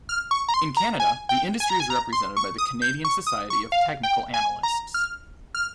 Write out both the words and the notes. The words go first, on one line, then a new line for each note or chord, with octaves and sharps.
In Canada the industry is represented by the Canadian Society of Technical Analysts.
F6
C#6
A#5
C6
A#5
G#5
G5
G#5
A#5
G#5
A#5
C6
C#6
D#6
G6
C#6
D#6
C#6
F5
G5
G#5
A#5
F6
F6